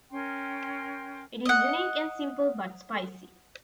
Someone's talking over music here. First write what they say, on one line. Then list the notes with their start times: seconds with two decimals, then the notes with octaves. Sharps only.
It is unique and simple but spicy.
0.11 C#4 A#4 G5 C6
1.45 D#5 F#5